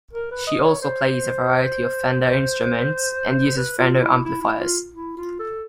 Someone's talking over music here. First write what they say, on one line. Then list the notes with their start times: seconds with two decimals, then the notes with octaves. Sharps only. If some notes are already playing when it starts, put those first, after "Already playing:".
She also plays a variety of Fender instruments, and uses Fender amplifiers.
0.13 A#4
0.31 B4
0.47 D#5
0.64 C#5
0.82 C5
3.57 B4
3.78 F4
4.01 E4
4.25 E4
4.41 E4
4.60 F4
4.94 E4
5.17 F4
5.39 A4